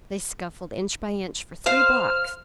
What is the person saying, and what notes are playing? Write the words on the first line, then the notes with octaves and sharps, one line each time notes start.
They scuffled inch by inch for three blocks.
C5 F5 F6